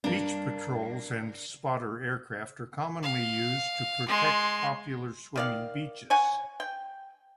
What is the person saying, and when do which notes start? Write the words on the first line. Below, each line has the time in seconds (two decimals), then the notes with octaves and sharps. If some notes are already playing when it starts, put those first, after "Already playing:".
Beach patrols and spotter aircraft are commonly used to protect popular swimming beaches.
0.04 G2 A#3 D4 A#4
3.03 F5
4.08 G#3 C6
5.36 D#3 D5 F5
6.10 C#5 F#5 G#5
6.60 G5